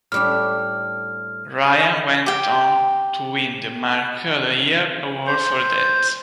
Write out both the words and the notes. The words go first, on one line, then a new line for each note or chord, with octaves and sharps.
Ryan went on to win the Mark of the Year award for that.
A2 G3 D4 F6
G4 G5
C5